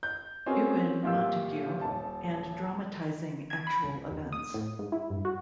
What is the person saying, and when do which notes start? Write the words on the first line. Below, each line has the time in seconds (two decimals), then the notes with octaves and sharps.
Ewen Montagu and dramatising actual events.
0.03 G6
0.46 C4 C#4 F#4 G#4 A#4
1.03 A1 A#2 F4 G4 E6
1.81 D#1 A5
3.50 G#6
3.67 B5
3.84 C#2
4.11 D#2
4.33 D#6
4.54 A2
4.79 G#2
4.92 E4
5.10 G2
5.25 F#4